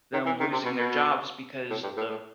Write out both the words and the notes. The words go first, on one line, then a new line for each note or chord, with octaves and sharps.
them losing their jobs because the
D#3
E3
D#3
C3
B2
B2
A2
G2
A2
A2